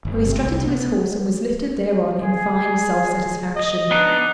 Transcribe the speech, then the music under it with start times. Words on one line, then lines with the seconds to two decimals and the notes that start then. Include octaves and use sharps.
So he strutted to his horse, and was lifted thereon in fine self-satisfaction.
0.05 G1
0.25 C3
0.43 C2
0.67 B3
2.20 G#4
3.56 D#5
3.91 B3 D4 D#4 F#6